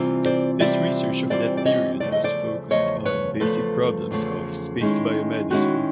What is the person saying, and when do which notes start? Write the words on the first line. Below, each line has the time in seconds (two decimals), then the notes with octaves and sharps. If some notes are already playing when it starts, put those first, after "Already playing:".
His research of that period was focused on basic problems of space biomedicine.
Already playing: C3 E3 G3 C4 F4
0.25 C5 D5
0.60 C3 E3 G3 C4 F4 D5 E5
1.30 C3 E3 G3 C4 F4 C5 D5
1.57 D5
1.66 C#5 D#5
2.00 E2 C#3 F3 A3 D5
2.12 D#5
2.24 C5 D5
2.70 E2 C#3 F3 A3 C#5 D#5
3.05 B4 C#5
3.40 E2 C#3 F3 A3 A4 B4
4.11 E2 C#3 F3 A3
4.81 D#3 G#3 C#4 E4
5.50 D#3 G#3 C#4 E4 F#4